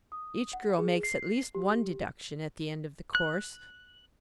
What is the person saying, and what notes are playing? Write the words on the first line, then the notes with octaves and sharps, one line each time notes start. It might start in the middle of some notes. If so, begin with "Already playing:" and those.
Each girl makes at least one deduction at the end of the course.
D#6
F#5
G#4
C7
G4
F#6